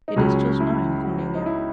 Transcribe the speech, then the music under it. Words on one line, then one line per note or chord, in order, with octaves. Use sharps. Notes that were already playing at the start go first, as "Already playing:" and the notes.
"It is just nine, Cornelia."
D#4
C#2 C#3 F#3 C#4
E4
F#4
D#4
E4